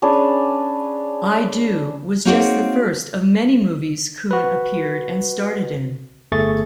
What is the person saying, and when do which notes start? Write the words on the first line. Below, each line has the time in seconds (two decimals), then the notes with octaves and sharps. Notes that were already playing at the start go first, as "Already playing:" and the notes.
"I Do" was just the first of many movies Koon appeared and started in.
0.02 C#4 D4 G#4 B4
2.25 A#3 C4 D#4 F#4 G#4 C#5
4.31 F#4 B4
6.32 G1 A3 G#4 C#6 A6